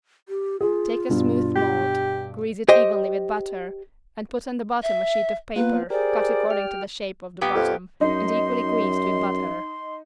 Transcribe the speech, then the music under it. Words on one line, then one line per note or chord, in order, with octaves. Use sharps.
Take a smooth mold, grease it evenly with butter and put on the bottom a sheet of paper, cut according to the shape of the bottom and equally greased with butter.
G4
F4 G#4
G2 B2
G4
G4 C5 D#5 G5
E5
A#3 B3 F4 B4
G4 G#4 A#4 C5 D5
G4 G5 F6
A#2 B3 G4
F2
F#2 D#4 C6